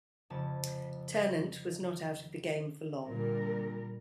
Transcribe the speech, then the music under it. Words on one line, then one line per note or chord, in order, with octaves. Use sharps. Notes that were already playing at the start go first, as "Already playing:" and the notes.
Ternent was not out of the game for long.
F1 C#3 F3 A5 E7
A#2 D3 G3 A#4